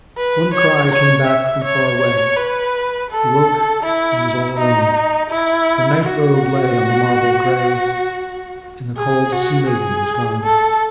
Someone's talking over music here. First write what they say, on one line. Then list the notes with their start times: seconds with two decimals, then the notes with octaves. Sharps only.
One cry came back from far away: He woke, and was all alone. Her night robe lay on the marble grey, And the cold sea-maiden was gone.
0.17 B4
0.54 C#5
0.91 C#5
1.27 E5
1.64 C#5
2.01 C#5
2.37 B4
3.11 A4
3.83 E4
4.57 D#4
5.30 E4
6.04 F#4
8.97 G#4
9.33 F#4
9.70 G#4
10.43 A4